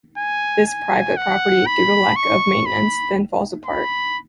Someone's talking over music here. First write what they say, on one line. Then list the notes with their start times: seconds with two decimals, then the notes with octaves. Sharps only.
This private property, due to lack of maintenance, then falls apart.
0.17 G#5
0.67 G#5
1.17 F#5
1.66 B5
2.16 C#6
2.66 B5
3.65 B5